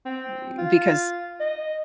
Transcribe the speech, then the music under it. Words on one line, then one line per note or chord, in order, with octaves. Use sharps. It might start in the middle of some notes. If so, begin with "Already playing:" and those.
Mm, because,
C4
F4
D#5